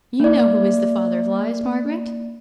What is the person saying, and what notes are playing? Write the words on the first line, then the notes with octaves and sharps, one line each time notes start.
You know who is the father of lies, Margaret?
A#3 D5